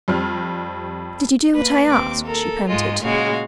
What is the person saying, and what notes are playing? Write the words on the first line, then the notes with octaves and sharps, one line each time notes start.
"Did you do what I asked?" she panted.
F2 G3 C4 F6
A#3 B4
D#2 C4 D6
A4 A#4
G#2 G#3 F4 D#5
A#2 C#3 G#3 F#4 F5